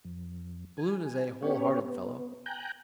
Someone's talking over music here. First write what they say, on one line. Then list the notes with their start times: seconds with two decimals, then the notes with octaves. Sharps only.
Balloon is a whole-hearted fellow.
0.05 F2
0.77 G#5
1.43 B3 C#4 G4 C#5
1.85 B3
2.46 G5 G#5 A#5 F#6 G6